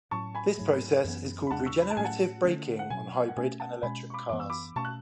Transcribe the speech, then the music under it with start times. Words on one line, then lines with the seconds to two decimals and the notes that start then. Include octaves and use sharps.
This process is called regenerative braking on hybrid and electric cars.
0.11 A2 F#3 C#4 A5 C#6
0.35 G#5 B5
0.58 G#2 F#3 A3
1.05 F#2 E3 B3
1.47 B5
1.51 E2 C#3 G#3 D4 F#5 A5
1.60 F#6
1.66 C#6 E6
1.82 B5
1.90 A5
1.97 A2 F#3 A3 C#4 G#5
2.05 F#5 A5
2.43 D3 A3 C#4
2.79 F#5
2.90 B2 F#3 C#4 G#5
3.29 F#5
3.36 B2 A3 C#4 G#5
3.60 F#5 A5
3.83 B2 G#3 C#4 G#5 B5
4.10 C#6
4.14 B5 D6
4.29 F#2 E3 B3 D6
4.40 E6
4.50 B5 D6
4.76 B2 A3 C#4 A5 C#6
4.85 F#6